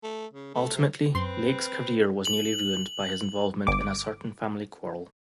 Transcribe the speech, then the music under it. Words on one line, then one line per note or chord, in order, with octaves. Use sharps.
Ultimately, Lake's career was nearly ruined by his involvement in a certain family quarrel.
A3
C#3
A3
C3
F#2 C4 B4 C6
F#7
G1 D6